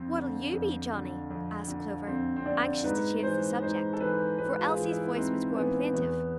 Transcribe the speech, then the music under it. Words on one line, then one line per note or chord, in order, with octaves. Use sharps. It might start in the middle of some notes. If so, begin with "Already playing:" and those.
"What'll you be, Johnnie?" asked Clover, anxious to change the subject, for Elsie's voice was growing plaintive.
Already playing: F2 C4
D3
F2
D3
F2
D3
F2 C4
C4
D3 D4
G#2 B4
E3 C5
G#2 C5
A4
E3 B4
G#2 B4
F4
G#4
E3
E4
G#2 C4
E3 B3
E2 B3